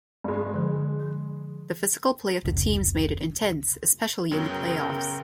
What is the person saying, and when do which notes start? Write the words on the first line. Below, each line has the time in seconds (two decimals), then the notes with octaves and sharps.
The physical play of the teams made it intense, especially in the playoffs.
0.24 G2 G#3
0.37 G#3
0.54 D3 F3
2.45 F1 C#2
4.31 F#2 C#3 F#3 B3 A#4 G5